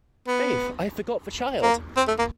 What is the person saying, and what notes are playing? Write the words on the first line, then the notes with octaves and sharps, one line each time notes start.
Faith, I forgot the child!
B3
A#3
C4
A3
A#3